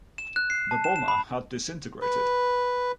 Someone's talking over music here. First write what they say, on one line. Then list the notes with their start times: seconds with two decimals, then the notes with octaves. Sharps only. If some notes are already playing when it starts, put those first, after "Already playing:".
The bomber had disintegrated.
0.18 E7
0.36 F#6
0.50 C7
0.71 A5
0.84 E7
0.96 E7
1.08 B5
2.02 B4